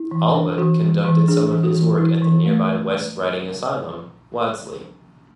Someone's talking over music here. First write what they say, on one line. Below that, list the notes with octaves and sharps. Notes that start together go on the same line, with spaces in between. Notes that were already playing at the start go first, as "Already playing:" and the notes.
Allbutt conducted some of his work at the nearby West Riding Asylum, Wadsley.
Already playing: E4
E3
D4
E3 F#4
E3
E3
D4 G#4
E3
F#4
E3
E3 E4
E3
A3